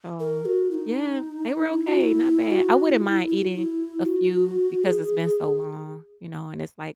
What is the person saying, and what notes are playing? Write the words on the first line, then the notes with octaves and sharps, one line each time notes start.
So, yeah, they were okay, not bad. I wouldn't mind eating a few because it's been so long, you know, and it's like
A#4
F#4
E4
D#4
E4
F#4
E4
F#4
E4
E4
F#4
E4
F#4
G#4